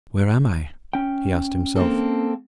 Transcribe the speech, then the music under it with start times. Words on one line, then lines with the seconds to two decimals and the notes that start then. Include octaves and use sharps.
"Where am I?" he asked himself.
0.93 C#4 G5
1.76 A#3 C4 A4